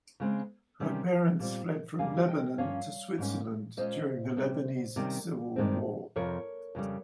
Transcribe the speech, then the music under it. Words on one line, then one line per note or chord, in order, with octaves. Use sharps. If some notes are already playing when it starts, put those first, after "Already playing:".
Her parents fled from Lebanon to Switzerland during the Lebanese Civil War.
C#3 G#3 C4
C3 D#3 G3 C#4
A#2 G3 C4
F2 C#3 G3 A#3 F5 G#5
D#5 G5
G2 F3 A#3 C#4 C#5 F5
G#2 G3 A#3 C#4
A#2 G#3 C#4 C5 D#5
C3 G3 C4
C3 D#3 G3 C#4
G2 D#3 G#3 C4
F2 C3 F3 A#4 C#5
F2 C#3 G3